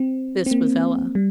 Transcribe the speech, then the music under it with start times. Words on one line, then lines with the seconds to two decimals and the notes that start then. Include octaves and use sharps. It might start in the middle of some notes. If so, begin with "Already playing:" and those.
This was Ella.
Already playing: C4
0.46 C4
0.51 A#3
1.15 G3